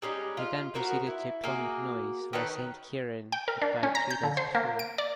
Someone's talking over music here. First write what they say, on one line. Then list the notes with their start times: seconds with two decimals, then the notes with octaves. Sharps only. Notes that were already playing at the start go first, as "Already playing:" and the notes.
He then proceeded to Clonmacnoise, where Saint Cieran had died three days before.
0.02 G3 G#3 C#4 D#4
0.37 F4
0.75 B3 F#4 A#4 C5
1.07 E4
1.44 A#3 F#4 G#4
2.33 D#3 C#4 A4 B4
3.32 G5
3.48 A#4
3.62 D4
3.83 C#4
3.95 A#5
4.10 G6
4.23 D3
4.37 C5
4.55 A#3
4.79 D7
4.98 D5